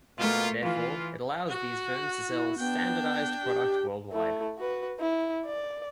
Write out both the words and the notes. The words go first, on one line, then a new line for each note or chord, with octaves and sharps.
Therefore, it allows these firms to sell a standardized product worldwide.
B2 A3 A#3 F4
E3 F4
F#4
E4
B3 D4 G5
G4
A3 E4
F#4 B4
E4
D5